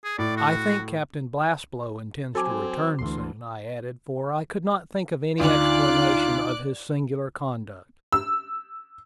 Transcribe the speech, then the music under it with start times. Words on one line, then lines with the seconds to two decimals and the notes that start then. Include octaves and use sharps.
"I think Captain Blastblow intends to return soon," I added, for I could not think of any explanation of his singular conduct.
0.04 G#4
0.19 A2 D5
0.37 F#4
2.35 F#3 C4 F#4 A4 G#5 D6
2.99 D2 E3 C6
5.40 D2 D#4 F4 D5 D6 F#6
8.12 E6